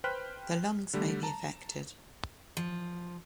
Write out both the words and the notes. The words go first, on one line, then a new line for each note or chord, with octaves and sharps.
The lungs may be affected.
B4 C5 G5 F6 F#6 B6
D3 G3 A3
A5 A#5
F3